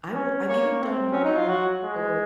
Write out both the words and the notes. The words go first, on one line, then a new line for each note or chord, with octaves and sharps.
I will I've even done one, or
C#4
A#3 C#5
C4
F#3 C#4
D#4
F4
F#4
G#3